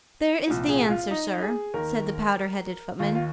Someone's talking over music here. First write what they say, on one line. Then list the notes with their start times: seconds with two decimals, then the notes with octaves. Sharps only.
'There is the answer, sir,' said the powdered-headed footman.
0.48 C2 A#2 F3
0.69 G#4
0.90 F4
1.11 D#4
1.42 G#4
1.74 D#2 D#3 A#4
2.99 D#2 D#3 F4
3.15 F4